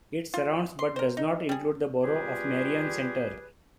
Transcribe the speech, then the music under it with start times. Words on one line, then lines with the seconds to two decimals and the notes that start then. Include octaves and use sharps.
It surrounds but does not include the borough of Marion Center.
0.34 F4
0.79 C6
0.96 A#4 C5
1.17 D#4
1.49 G3 G#4
2.03 G3 F4 G4 G#4 B4